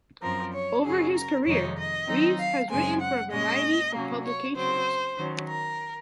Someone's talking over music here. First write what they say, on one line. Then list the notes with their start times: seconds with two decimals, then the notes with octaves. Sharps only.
Over his career Rees has written for a variety of publications.
0.22 F#2 F3 C4 A#4
0.53 C#5
0.84 F#2 C#3 F#3 C#4 G#4
1.15 A#4
1.46 F2 C3 D#3 G#3 D#4 C#5
1.78 D#5
2.08 D#3 F#3 C4 D#4
2.39 F5
2.70 F#2 C#3 G#3 C4 G#5
3.01 F#5
3.31 A#2 G#3 C#4 D#5
3.94 C3 F#3 A#3 C#4
4.24 C#5
4.55 C#3 F#3 C4 C5
5.18 D#3 F#3 C#4
5.48 A#4